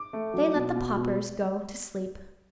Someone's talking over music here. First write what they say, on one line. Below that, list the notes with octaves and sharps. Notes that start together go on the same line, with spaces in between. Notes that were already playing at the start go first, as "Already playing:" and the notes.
They let the paupers go to sleep!
Already playing: D6
A3
F#3
B2
B2
B2